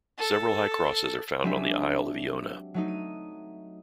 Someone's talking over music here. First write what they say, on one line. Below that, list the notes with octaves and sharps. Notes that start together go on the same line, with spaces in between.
Several high crosses are found on the Isle of Iona.
A4
F#3 G#3 C4 D4 G4 E5
F#3 A3 D#4
D#7